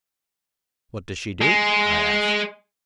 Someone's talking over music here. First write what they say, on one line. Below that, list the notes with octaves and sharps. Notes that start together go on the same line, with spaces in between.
"What does she do?" I asked.
G#3